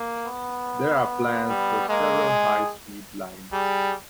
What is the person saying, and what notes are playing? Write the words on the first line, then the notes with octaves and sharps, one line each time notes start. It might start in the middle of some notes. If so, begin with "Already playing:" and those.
There are plans for several high-speed lines.
Already playing: A#3
B3
G3
G#3 A#3
G#4
G3 G#4